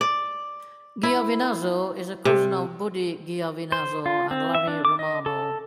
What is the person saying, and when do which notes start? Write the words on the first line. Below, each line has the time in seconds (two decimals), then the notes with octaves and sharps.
Giovinazzo is a cousin of Buddy Giovinazzo and Larry Romano.
0.01 D5
1.03 E4
2.25 C3
3.72 C5
4.06 F4
4.31 C4
4.55 E5
4.67 D4
4.85 D6
4.99 D#5
5.26 A4